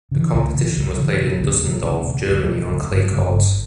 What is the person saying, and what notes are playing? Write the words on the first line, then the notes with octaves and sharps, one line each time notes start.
The competition was played in Düsseldorf, Germany, on clay courts.
C#3 E3
C#2
C#3 E3
C#2
C#3 E3
E1
D2 C#3
E1
D2 C#3
E1
D2 C#3
E1
D2 C#3
G1
F#2 C#3 G3
G1